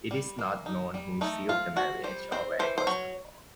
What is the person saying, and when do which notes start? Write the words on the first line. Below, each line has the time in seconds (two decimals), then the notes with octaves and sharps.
It is not known who sealed the marriage or where it was performed.
0.11 G3
0.39 A#3
0.66 D#4
0.94 G3
1.21 A3 D#4
1.49 C4 F4
1.76 F3 F#4
2.04 G3 C5
2.32 C4 C5
2.59 E3 C5
2.78 C5
2.87 F#3 C#5